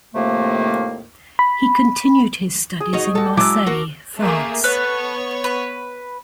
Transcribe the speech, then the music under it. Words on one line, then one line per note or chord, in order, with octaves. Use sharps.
He continued his studies in Marseille, France.
A2 C3 D#3 F3 A3 A#3
B5
G#4
D#4 F#4 C#5
F#4 A4 A5
F#3 G#3 E4 D6 E6
A#3 F#4
A3 A#3 G#4
B3 A4 B4 C#5
B4